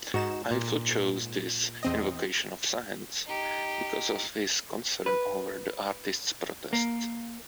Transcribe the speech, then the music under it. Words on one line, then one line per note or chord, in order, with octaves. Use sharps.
Eiffel chose this "invocation of science" because of his concern over the artists' protest.
G#2 D#4 F#4 E7
A#2
E2 C4 D#5
D#4 G4
B4
A#3